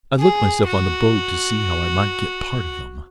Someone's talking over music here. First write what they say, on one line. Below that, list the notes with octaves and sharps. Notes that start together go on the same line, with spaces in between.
I looked myself on the boat to see how I might get part of them.
G#4
F#4